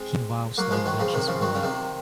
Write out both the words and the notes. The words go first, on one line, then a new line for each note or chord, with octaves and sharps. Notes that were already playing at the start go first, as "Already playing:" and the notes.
He vows to avenge his boy.
Already playing: G#3 C4
F#3 A#3
F3 G#3
D#3 F#3
C#3 F3
C3 D#3
C#3 F3
D#3 F#3
C#3
C3 D#3